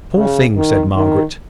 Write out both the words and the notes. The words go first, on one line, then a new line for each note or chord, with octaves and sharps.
"Poor thing!" said Margaret.
C#3
D#3
D#3